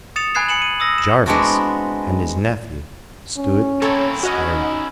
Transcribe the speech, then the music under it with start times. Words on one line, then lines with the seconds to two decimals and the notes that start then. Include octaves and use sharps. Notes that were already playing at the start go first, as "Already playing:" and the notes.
Jarvis and his nephew stood staring.
0.16 D#6 A6 C#7 E7 F7
0.35 G#5 B5 F#6 G#6 C7 E7
0.49 G#5 C#7 E7 F#7
0.62 D#7
0.80 D#6 E6 A#6
0.98 E7
1.26 G#3 B3 C4 D4 E4 F#4
3.37 C#4
3.82 A#3 C4 E4 A4 C#5
4.23 C#4 E4 F#4 D#5
4.55 D#4